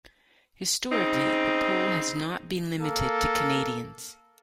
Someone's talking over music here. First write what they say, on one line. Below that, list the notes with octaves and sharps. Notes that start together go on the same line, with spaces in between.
Historically, the poll has not been limited to Canadians.
C#3 C4 D#4
A#3 A4